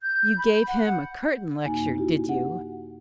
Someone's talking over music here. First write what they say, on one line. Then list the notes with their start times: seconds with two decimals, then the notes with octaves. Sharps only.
'You gave him a curtain lecture, did you?'
0.01 G6
0.37 B5
0.67 F#5
1.65 F#2 C3 A#3 D#4 G#5
1.98 E4 F#4 G4
2.29 F#5